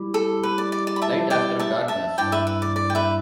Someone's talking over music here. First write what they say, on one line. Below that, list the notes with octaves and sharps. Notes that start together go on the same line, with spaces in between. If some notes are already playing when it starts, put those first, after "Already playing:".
Light after darkness.
Already playing: G3 E4 G4
A4
B4
D5
D5
D5
B5
E5 A5
D5 G5
E5 A5
E5 A5
G2 G3 E4 D5 G5
B4 E5
B4
D5
D5
G5
B4 E5